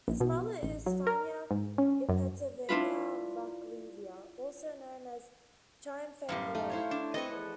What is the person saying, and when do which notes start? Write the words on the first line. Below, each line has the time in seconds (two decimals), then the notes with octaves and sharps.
His mother is Faina Ipatyevna Vakhreva, also known as Chiang Fang-liang.
0.08 A#1
0.20 B2
0.63 A1
0.86 F#3
1.07 A#4
1.51 G#2
1.78 C#4
2.09 F#2
2.69 D4 E4 F4 B4
6.29 F#2 A2 G3 F5
6.55 A3 D#4
6.70 E4 C5 C#5
6.91 D4
7.14 C4 A4 B4 D#5 C#6
7.30 E2 F3